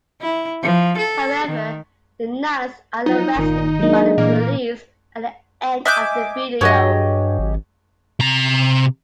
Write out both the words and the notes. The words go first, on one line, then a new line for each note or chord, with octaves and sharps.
However, the nuns are arrested by the police at the end of the video.
E4
F3
A4
D#3
F3 F#3 D#4
G1 A#2 D#3
F#3 G#3 A#3 D4 D#5
A#2 E3 A#3
D#5 E5 G#5 D6 F#6 G6
G2 F#3 G4 G#4 C#5 D#5
G#1
C3 A#5